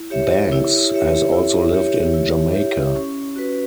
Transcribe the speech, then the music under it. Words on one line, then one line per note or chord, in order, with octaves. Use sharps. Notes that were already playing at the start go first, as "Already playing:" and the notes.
Banks has also lived in Jamaica.
Already playing: E4
G4 C#5 E5
E4
G4 C#5 E5
E4
G4 C#5 E5
E4
G4 C#5 E5
C#4
F#4 B4